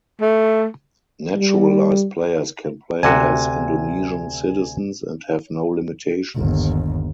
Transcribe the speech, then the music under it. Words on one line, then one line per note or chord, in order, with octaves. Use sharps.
Naturalized players can play as Indonesian citizens and have no limitations.
A3
G3
D2 C3 F#4 G#5
G1 D#2